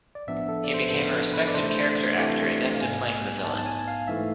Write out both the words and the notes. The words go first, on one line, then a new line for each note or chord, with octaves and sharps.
He became a respected character actor, adept at playing the villain.
D5
A2 F3 B3 D4 E5
A4
D5
C5
B4
A2 F3 B3 D4 A4
B4
B4
D5
C3 E3 A3 D4 C5
C3 E3 A3 D4 D5
F5
G#2 G#3 B3 G#5
G#2 G#3 B3 A5
A5
G#5
F5
G#2 E3 A3 E5